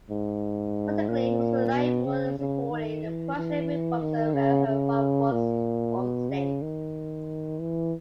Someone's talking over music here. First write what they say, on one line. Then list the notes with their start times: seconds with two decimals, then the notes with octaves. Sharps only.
Politically he was a liberal, supporting the Prussian reforms of Freiherr vom Stein.
0.10 G#2
1.08 A#2
1.73 B2
2.06 C#3
2.39 C#3
2.71 D#3
3.04 E3
3.36 E3
4.01 D#3
4.34 C#3
4.67 C#3
5.32 A#2
5.98 B2
6.30 C#3
6.62 D#3
7.59 E3